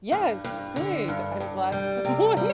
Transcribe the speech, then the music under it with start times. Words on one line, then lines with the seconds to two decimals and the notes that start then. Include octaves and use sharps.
Yes, good, I'm glad someone
0.12 G2
0.44 G2
0.76 D3
1.08 G2
1.40 G2
1.72 G3
2.05 C3
2.37 G3